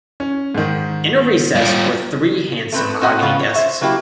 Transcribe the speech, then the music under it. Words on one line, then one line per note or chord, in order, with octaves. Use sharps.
In a recess were three handsome mahogany desks.
C#4
G#2 D#3
G3 F4
A3 C4 B4
C4 F#4 D#5 F#5
C#3 B3 C#4 F4 B4
C#5
C5 E5
F#3 A#3 E4 F#4 G4